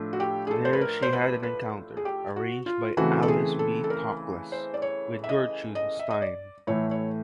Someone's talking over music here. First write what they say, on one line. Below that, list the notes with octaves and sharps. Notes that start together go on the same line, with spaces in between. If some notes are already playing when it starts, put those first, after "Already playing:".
There she had an encounter, arranged by Alice B. Toklas, with Gertrude Stein.
Already playing: A2 F3 A3 D4 F4
F#4
G4
G#4
A4
C5
B4
A#4
C5
B4
B4
G#4
G4
F#4
F4
C#3 E3 A3 C4 F#4
A4
G#4
A4
A4
A#4
C5
D5
C#5
E5
D#5
D#5
E5
D#5
D5
A2 E3 A3 C#5
C#5